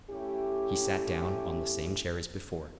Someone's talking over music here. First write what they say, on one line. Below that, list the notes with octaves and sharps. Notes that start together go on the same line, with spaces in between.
He sat down on the same chair as before.
A3 C#4 E4 G4